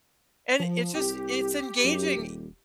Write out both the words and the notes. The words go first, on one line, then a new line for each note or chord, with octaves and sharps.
And it's just it's engaging,
F3
C2 G4
F#2
D#1